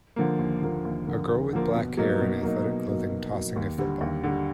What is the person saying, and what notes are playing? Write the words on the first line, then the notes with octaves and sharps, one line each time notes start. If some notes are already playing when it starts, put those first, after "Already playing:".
A girl with black hair in athletic clothing tossing a football.
D3 F3 A#3
D#2
D3 F3 A#3
D#2
D3 F3 A#3
D#2
D3 F3 A#3
B2
F#3 A#3 D#4
B2
F#3 A#3 D#4
B2
F#3 A#3 D#4
B2
F#3 A#3 D#4
D#2
D3 G3
D#2
D3 G3